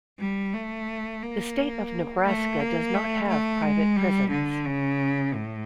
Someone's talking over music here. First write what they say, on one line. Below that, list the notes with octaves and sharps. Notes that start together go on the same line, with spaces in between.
The state of Nebraska does not have private prisons.
G3
A3
A#3
A3
A#3
A3
A3
G#3
G3
D3
C#3
A2